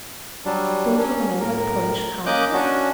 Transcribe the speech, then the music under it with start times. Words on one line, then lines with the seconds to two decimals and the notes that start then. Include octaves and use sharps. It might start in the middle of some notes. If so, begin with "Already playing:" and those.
Don't you remember the Polish Countess?
0.45 F#3 G3 D4
0.99 C#4
1.40 A2 A#4
2.26 A#3 C#4 D#5 D6 F#6 G6
2.53 C#4 D4 F#4